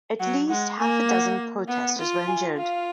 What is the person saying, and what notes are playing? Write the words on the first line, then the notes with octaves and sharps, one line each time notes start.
At least half a dozen protesters were injured.
F#3 F#5
G#3 F#5
A#3 G#5
F#5
B3 F#5
F4
G#5
F4 F5